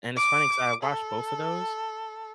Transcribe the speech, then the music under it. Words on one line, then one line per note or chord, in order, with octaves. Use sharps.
And it's funny 'cause I watched both of those,
D6
A4